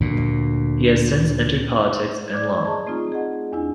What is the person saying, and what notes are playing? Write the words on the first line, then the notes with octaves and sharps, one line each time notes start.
He has since entered politics and law.
D2 A#2
D5 D6 G#6
G#4 D#5 A5 A#5 C#6
A3 C4 D#4 F4
G#4 D#5 F#5
E2 D4 E4 G#5